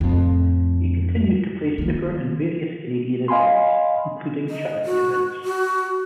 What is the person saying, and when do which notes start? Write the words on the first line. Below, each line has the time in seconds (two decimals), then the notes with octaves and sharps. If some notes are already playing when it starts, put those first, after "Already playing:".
He continues to play snooker in various Canadian events, including charity events.
0.01 F2 A2
1.78 D#3 A#3
3.28 D#5 F5 G#5 B5 C6
4.50 D#5
4.85 F#4
5.44 F#4